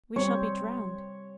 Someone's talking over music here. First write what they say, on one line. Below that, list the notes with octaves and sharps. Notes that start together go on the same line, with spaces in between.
We shall be drowned!
G3 C4 C#5